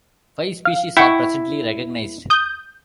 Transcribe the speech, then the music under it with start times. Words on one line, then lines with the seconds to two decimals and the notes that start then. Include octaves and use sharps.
Five species are presently recognized.
0.65 F5
0.97 E4 F#5 G5 C#6
2.30 D#6 G6